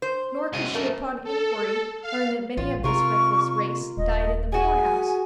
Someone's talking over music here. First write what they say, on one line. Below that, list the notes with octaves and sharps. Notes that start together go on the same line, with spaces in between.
Nor could she upon inquiry learn that many of this reckless race died in the poorhouse.
C5
F#2 C3 G#3 D#5
A3 A#4
A4
F5
A1 F4
C3 F4 A#4 C#6
D#1 D#5
F#4 G#4 G#5